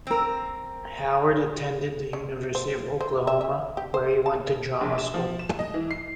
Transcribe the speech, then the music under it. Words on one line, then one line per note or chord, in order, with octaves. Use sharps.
Howard attended the University of Oklahoma, where he went to drama school.
C4 A#4
C#4
C5
C5
E5
E5
G4
C5
A5
A#1
E7
F3
E7
D#5
E3
C7